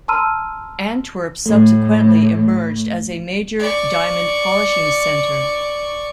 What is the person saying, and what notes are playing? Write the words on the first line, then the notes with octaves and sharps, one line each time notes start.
Antwerp subsequently emerged as a major diamond polishing center.
A5 A#5 C6 E6 F6 D#7
A2 A3
D5 C#6